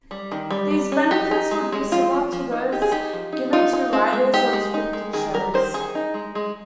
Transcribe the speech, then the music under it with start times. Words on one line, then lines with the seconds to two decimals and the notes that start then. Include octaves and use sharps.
These benefits would be similar to those given to writers on scripted shows.
0.11 G3
0.32 D#3
0.50 G3
0.71 G3
0.92 C#4
1.11 D#4 G4
1.31 D#4
1.51 G#3
1.72 G#3
1.92 F3 F4
2.12 F3
2.32 F3
2.52 D#4
2.72 D#4 G4
2.82 G#4
2.92 D#4 G4
3.13 F3
3.32 D#4
3.53 D#4 F4
3.73 D#4
3.93 C4
4.13 G#3
4.34 D#4 G4
4.53 G#3
4.74 D#4
4.93 G#3
5.13 D#3 G#4
5.34 G3 A#4
5.54 D#3 C5
5.74 D#3 G#4
5.95 D#4
6.14 G#3
6.35 G#3